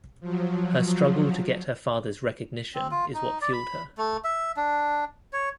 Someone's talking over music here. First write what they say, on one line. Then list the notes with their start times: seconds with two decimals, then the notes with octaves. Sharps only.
Her struggle to get her father's recognition is what fueled her.
0.20 F3 F#3
2.75 C4
2.91 F4
3.14 D#4
3.41 D5
3.53 B5
3.98 A3
4.24 E5
4.57 D4
5.33 C#5